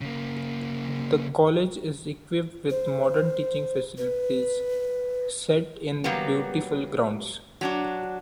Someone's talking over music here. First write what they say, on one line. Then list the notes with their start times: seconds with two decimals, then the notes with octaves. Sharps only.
The College is equipped with modern teaching facilities set in beautiful grounds.
0.01 C#3 A#3
2.70 C5
3.98 B4
6.04 F#3 G3 A#3 B3
7.61 F#3 D4 F#4